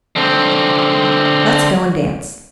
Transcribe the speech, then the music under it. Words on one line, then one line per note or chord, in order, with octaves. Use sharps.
Let's go and dance.
D3 C4